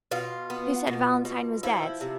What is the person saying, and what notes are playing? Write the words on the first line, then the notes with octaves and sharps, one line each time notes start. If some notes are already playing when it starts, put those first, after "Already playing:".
"Who said Valentine was dead?"
B2 F4
B3
B2
B2
F3 E4
C3